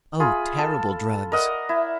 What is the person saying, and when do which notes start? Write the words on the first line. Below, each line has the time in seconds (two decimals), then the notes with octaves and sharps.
"Oh! terrible drugs."
0.20 F4 G#4 B5
0.59 A4
1.32 A#4 D5 D#5 F#5
1.69 E4